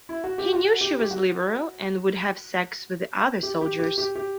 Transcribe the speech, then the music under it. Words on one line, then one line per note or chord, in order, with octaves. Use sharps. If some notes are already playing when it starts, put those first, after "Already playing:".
He knew she was liberal and would have sex with the other soldiers.
E4
F#4
G4
F#4
G4
G4
F#4
G4
G4
G4
G4
G4